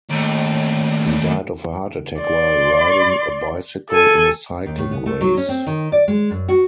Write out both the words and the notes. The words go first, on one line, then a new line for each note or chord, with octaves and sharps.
He died of a heart attack while riding a bicycle in a cycling race.
D#2 A2
D5 C6
A4 G#5
D#2
A2
B3
A3
F#3
C#4
C4
D#3
D5
G#3
F#2
F#4